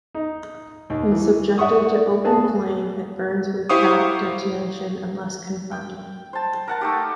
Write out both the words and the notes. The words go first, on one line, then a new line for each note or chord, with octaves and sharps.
When subjected to open flame, it burns without detonation, unless confined.
D#4
D#2
E3
D5 E5 F#5 C#6 D#6
B3 G#4 A5
E4 G4 C5 F5 C#6 D#6
G5
C5 A5
A#4 F#5 A5
A3 D#4 G4